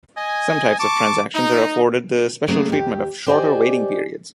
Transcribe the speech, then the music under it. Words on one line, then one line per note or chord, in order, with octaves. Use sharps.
Some types of transactions are afforded the special treatment of shorter waiting periods.
D#5 G#5
A5 C#6 D6
D#4
C#3 F#3 A3 A#3 G#4
D#2 G4
G4 C5 D5 D#5 G5 G#5